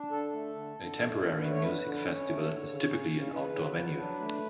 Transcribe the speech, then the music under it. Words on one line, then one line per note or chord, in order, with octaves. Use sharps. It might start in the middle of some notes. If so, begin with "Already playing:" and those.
A temporary music festival is typically an outdoor venue.
Already playing: D4
D3 A4
A3
D3
D3
A3
D3
A3 B4
C#5
D3 B4
D3
B4
C#4 C#5
A3
D3
C#3
C#4
C#3
C#3 B4
F#3
F#3
D4
A3